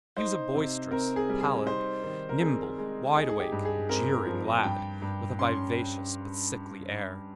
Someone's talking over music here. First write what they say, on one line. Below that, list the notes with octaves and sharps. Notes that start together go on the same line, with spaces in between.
He was a boisterous, pallid, nimble, wide-awake, jeering, lad, with a vivacious but sickly air.
D#4 C5
C3
C4 A#4
G#4
G3
G#4
D#4 C5
D#3
A#4
C4 G#4
G#3
D#4 G#4
G#4
G4
G2
G#4
C4 A#4
F3
G2 G5
G2
C#4 C6